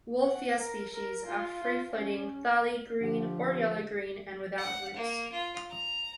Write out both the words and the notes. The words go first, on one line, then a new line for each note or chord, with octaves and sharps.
"Wolffia" species are free-floating thalli, green or yellow-green, and without roots.
F#5
A#4
A#4
F4
F4
C#4
D3 F3 G4 F#5
F#5
A#3
F4
A#5